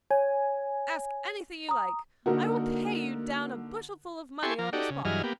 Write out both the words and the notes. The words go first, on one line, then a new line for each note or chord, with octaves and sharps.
'Ask anything you like! I will pay you down a bushelful of money on the spot.'
C#5 G#5
A#5 D#6
D3 A#3 D#4 F#4 A#4
E4 G4 A4 G#5 C6 C#6
F3 A#4
D#4 F#4 G4 A4 D5
C#3
G2 E3 F#3 G#4 D#5 F6
A#3 B3 G4